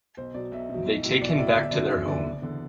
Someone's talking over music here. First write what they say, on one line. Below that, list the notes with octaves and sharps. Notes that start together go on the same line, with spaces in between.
They take him back to their home.
B1 C5
B2 F#3 D5
B1 E5
B2
F#3
B1
A2 F#3
B1 D5
E5
A2 F#3 D5
E5
G1 D5
E5
F#2 D3 F#3 D5
G1 E5
F#2 D3 F#3 D5
F#1
E2 D3